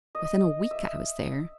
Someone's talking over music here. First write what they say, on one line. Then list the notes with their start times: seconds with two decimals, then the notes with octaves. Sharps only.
Within a week I was there.
0.15 D#5
0.71 E5